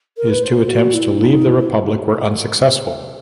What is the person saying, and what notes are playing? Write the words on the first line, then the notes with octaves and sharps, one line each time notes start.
His two attempts to leave the republic were unsuccessful.
A#4
B4
C5
F#4
E4
D#4
E4